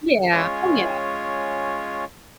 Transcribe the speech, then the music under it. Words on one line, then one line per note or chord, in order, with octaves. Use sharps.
Yeah. Oh yeah,
G#3 C#4 F4 C#5